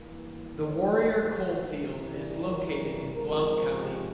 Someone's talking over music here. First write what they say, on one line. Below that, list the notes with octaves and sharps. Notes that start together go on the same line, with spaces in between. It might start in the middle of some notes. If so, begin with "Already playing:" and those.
The Warrior coal field is located in Blount County.
Already playing: G2 E3 A#3 A#4
G#2 F3 G#3 C#5
C5
A#4
G2 E3 G3
A#4
G#2 F3 C4 A#4
G4